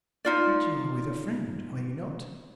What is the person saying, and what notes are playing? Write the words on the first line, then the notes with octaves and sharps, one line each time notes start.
"But you are with a friend, are you not?"
D#4 F4 D5